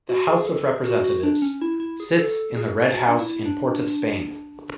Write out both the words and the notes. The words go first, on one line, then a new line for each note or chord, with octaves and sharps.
The House of Representatives sits in the Red House in Port of Spain.
F#4
G#4
G#4
A4
G#4
F#4
F#4
D4
C#4
E4
E4
G#4
A4
G#4
F#4
D4
E4
D4